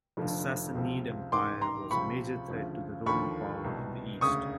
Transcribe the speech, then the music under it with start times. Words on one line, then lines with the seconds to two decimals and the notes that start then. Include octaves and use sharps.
The Sassanid Empire was a major threat to the Roman power in the East.
0.17 F1 F2 D3 F3
0.75 C#2 C3 F3
1.32 A1 G#2 D#3 C6 D6
1.61 A#5 C6
1.91 C#2 C3 F3 B5 C#6
2.48 D2 C#3 F3
3.06 D#2 D3 F3 B5 C#6
3.64 C2 B2
4.21 E1 D2 C#3 C#6 D#6